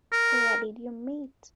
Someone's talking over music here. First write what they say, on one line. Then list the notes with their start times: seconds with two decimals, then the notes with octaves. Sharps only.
Where did you meet?
0.12 A#4